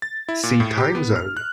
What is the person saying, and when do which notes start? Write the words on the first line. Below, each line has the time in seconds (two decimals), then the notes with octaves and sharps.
See Time zone.
0.02 A6
0.29 E4
0.43 A#2
0.60 A2
0.78 G4
0.95 B3
1.16 F6
1.37 F#6